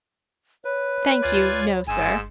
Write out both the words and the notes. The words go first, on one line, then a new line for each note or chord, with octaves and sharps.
"Thank you, no, sir."
B4 C#5
D2 F4 D5 G#5 B5
G1 G#2 G#5 C6 E6